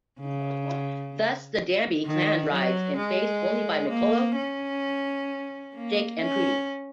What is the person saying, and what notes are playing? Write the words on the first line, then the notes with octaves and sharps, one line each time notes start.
Thus, the Danby clan rides in faced only by McCullough, Jake, and Prudy.
C#3
D#3
F#3
G#3
A#3
C#4
A#3
C#4